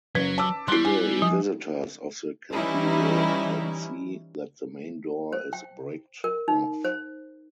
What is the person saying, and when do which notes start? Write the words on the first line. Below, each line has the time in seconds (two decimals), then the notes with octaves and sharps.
Today, visitors of the cathedral can see that the main door is bricked off.
0.15 F#1 F#3 B4 B6
0.38 A5 D6 E6
0.68 G3 E4 C6 F#6 C7
0.85 G#5
1.22 F3
2.53 E3 G3 C#4 D#4 E4
5.33 C5
5.53 G5
6.24 A#4
6.48 D#4
6.85 C5